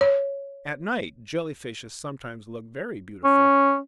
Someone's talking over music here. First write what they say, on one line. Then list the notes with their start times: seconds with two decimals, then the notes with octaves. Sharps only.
At night Jelly-fishes sometimes look very beautiful.
0.01 C#5
3.25 C#4